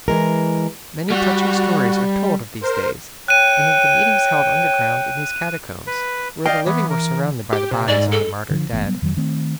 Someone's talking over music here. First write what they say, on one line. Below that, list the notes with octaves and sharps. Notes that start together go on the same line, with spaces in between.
Many touching stories are told of these days; and of the meetings held underground in these Catacombs, where the living were surrounded by the bodies of the martyred dead.
E3 G#3 A#4
G3 F#4
A#4 C5
C#5 G5 F#6 D#7
B4
D5 D#5 F5 G5
E3 B3
A#4
G4
C3
G#2 D5
A4
D3 F3
G1 E3 A3 B3
F#3 G3 B3
F2 D#3 F3 F#3
D#3 A3 C4